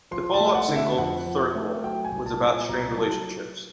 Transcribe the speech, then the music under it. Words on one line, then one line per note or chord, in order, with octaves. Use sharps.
The follow-up single, "Circle," was about strained relationships.
F3 C6
A5
A3
F#5
D3
E5
F2 F#5
F3
A3
F#3 G5
G#5
C2
A5
A#2
G#5
C2 A#5
F#3 A5